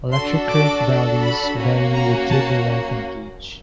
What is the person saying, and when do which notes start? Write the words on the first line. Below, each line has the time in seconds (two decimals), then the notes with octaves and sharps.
Electric current values vary with cable length and gauge.
0.12 D4 F#4 A4 C6
0.49 D6
1.22 B5
1.58 A#3 C#4 F#4
1.94 A#5
2.30 A5